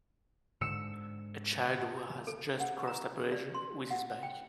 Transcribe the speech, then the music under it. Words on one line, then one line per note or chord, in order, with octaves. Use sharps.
A child who has just crossed a bridge with his bike.
G#2 D3 E6 C#7 E7
A4
F#5
A#5
D5
C6
F#5
G5